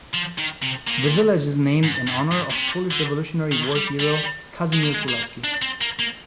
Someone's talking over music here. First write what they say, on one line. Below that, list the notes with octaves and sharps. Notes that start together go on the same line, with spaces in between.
The village is named in honor of Polish Revolutionary War hero Casimir Pulaski.
F3
D#3
C3
A#2
G#2
G2
G#2
A#2
C3
D3
D#3
G3
G3
G#3
A#3
G#3
A#3
D4
C4
A#3
A#3